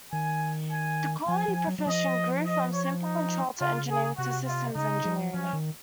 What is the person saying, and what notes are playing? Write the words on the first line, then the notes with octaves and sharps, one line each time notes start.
The quality profession grew from simple control to engineering, to systems engineering.
D#3 G#5
G#5
F3 G#5
F3
F#3
F#3
F3 D#5
D#5
C#5
D#4
C#3 F4
G#4
C3 F#4
F4
C#3 D#4
F3
F3 C#4
D#3